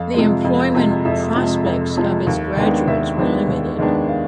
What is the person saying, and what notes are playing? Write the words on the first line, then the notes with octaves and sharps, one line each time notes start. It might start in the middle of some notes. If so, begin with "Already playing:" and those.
The employment prospects of its graduates were limited.
Already playing: F2 F5
C3 F3 G#3
F2
C3 F3 G#3
F2 E5
C3 F3 G#3
F2
C3 F3 G#3
D#2
D#3 G#3 B3 D4
D#2 E5
D#3 G#3 B3 D4
D#2
D#3 G#3 B3 D4
F5